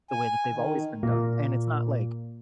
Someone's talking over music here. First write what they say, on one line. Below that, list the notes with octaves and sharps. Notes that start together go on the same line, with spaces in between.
the way that they've always been done?" And it's not like,
G#5
D#3
A#2